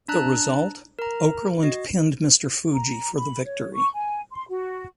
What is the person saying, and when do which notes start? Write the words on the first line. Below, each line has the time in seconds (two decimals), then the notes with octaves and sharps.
The result: Okerlund pinned Mr. Fuji for the victory.
0.08 D4 A5 A#5 F#6
0.99 A#4 A#5
1.63 F#4 D#5
2.73 A#5
3.16 B5
3.44 C#5
3.73 C#6
3.94 G#5
4.32 C6
4.49 F#4